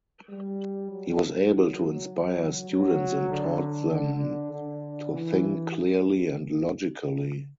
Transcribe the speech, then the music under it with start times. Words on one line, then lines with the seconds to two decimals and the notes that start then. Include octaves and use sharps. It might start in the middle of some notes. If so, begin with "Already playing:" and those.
He was able to inspire students and taught them to think clearly and logically.
0.30 G3
0.91 F#3
2.71 F#3
3.30 D3
3.91 D3
4.52 D3
5.12 E3